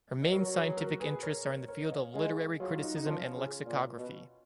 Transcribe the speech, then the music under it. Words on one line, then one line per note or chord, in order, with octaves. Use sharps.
Her main scientific interests are in the field of literary criticism and lexicography.
D#5
F#3 A#4 C#5
G#4 B4
F#4 A#4
G#4 B4
A#4 C#5
A#4 C#5
A#4 C#5
D#5
C#5 F5
G#3 C#5 F5
F#3 F4 G#4
D#4 F#4
D#4
F3 C#4 F4
C#3
A#2
B2